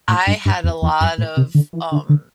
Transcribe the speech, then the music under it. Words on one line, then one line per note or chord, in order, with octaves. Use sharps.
I had a lot of, um
A2
G2
G2
E2
E2
F#2
A2
C3
D3
E3
D3
D3